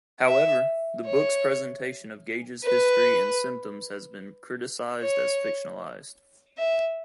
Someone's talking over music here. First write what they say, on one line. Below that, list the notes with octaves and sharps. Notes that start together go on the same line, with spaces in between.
However, the book's presentation of Gage's history and symptoms has been criticized as fictionalized.
E5
C#5
B4
C#5
E5